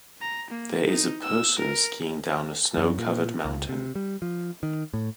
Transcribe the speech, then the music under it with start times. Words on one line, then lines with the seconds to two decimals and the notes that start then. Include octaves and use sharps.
There is a person skiing down a snow covered mountain.
0.21 A#5
0.50 A#3
0.87 D#4
1.23 E6
1.58 A#4
2.77 F#2
2.98 A#2
3.45 C#2
3.69 C3
3.95 G3
4.22 F3
4.63 D#3
4.94 A2